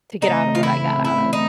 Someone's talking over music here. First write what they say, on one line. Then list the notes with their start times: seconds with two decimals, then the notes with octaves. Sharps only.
to get outta what I got out of,
0.22 C#3 E3 A3 C4 D#4
0.55 F4
0.63 E4
1.05 E4
1.33 D#4